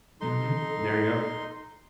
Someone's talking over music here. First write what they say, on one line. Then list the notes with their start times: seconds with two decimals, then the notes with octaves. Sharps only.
Mhm. There you go.
0.21 D#4 A4 C6